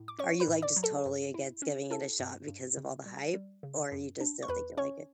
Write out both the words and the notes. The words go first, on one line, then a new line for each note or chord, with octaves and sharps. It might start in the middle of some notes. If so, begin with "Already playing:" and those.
Are you, like, just totally against giving it a shot because of all the hype, or you just don't think you'll like it?
Already playing: A2
D6
C#4 C#5 C#6
B4 B5
A2
D5 D6
F#3
A4 A5
G2
E4
C#4
E4 A4 A5
G2
G2
C#3
G3
G3
C#3
F#2
D4
C#6
E2 B4 B5
C#4 C#5 C#6